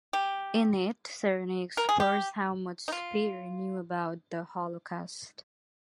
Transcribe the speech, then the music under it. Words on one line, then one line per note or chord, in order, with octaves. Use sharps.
In it, Sereny explores how much Speer knew about the Holocaust.
G4
A#4
G#4
G4
D#4
F4